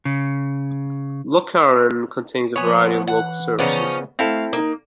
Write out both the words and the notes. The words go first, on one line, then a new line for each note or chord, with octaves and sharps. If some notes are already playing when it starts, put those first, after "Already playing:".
Lochcarron contains a variety of local services.
C#3
F3 B3 C#5 G#5
E3 F#5
C#3 F3 B3 C#4 D#4 D5
A3 C4 E4 A4 F5
A#3 D#4